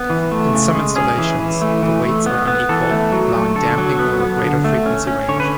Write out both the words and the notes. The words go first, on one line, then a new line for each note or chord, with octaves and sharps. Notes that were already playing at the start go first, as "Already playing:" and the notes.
In some installations, the weights are unequal, allowing damping over a greater frequency range.
Already playing: B3
E3
A3
C#3
G#3
C#4 G#4
E3
E3
A3
E3
A3
B3
B3
E3 A4
A3
F#3
A3
D3 A4
F#3
B3
B3
D3
A3
C#4
C#4
D3 C#5
B4